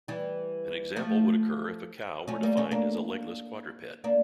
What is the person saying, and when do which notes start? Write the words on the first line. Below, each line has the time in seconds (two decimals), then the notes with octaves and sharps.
An example would occur if a cow were defined as a legless quadruped.
0.08 E3 G3
0.96 F3 A3
2.28 A3 C#4
2.43 G3 A#3
2.57 A3 C#4
2.71 A#3 D4
4.04 A#3 D4